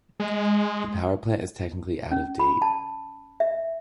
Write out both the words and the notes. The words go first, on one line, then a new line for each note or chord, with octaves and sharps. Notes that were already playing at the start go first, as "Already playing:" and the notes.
The power plant is technically out of date.
G#3
C#4
B5
A5
E5